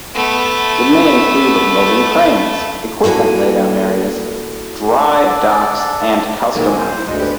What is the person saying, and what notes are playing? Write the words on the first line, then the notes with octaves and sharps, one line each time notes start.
It may include loading cranes, equipment laydown areas, dry docks and custom houses.
A3 B3
A#3 E4 F#4 A4 G#5
D4 A4 D5
A#2 D#3 F#3 G#3 A4
G#5
C5
E4
D2 G#2 D#5
B3 G4 B4